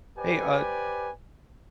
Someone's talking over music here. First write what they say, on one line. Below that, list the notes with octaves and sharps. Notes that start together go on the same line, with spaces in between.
Hey, uh,
G4 B4 C5 D5 G#5